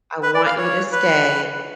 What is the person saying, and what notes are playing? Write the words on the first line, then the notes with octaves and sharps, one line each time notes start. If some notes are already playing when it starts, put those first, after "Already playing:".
I want you to stay.
B4
D5
F5
C#5
B4